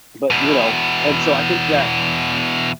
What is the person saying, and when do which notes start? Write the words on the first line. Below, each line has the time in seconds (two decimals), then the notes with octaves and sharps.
"but, you know" And, so, I think that
0.31 E2 B2